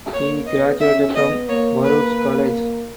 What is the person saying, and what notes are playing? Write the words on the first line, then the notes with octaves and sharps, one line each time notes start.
He graduated from Baruch College.
A#3 C#5
B3 D#5
C#4 E5
B3 D#5
A#3 C#5
B4